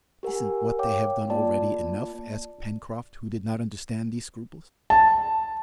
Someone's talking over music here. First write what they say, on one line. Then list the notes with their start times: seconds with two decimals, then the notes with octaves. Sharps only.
"Isn't what they have done already enough?" asked Pencroft, who did not understand these scruples.
0.23 G4 A#4 F#5 G#5
0.79 C#5 F5 G5 D6
1.30 A#3 F4 D5 A5
4.90 A5